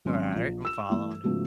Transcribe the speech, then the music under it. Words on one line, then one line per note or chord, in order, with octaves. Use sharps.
All right, I'm following you.
G#1 F#3 C#4 C6
A#1
E6 E7
E3 A3
G#2 C#3 F3 A3 B3 F#4